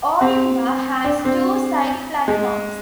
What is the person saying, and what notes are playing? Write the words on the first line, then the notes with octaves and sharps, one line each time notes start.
Ourimbah has two side platforms.
C4
D4
C4
G#3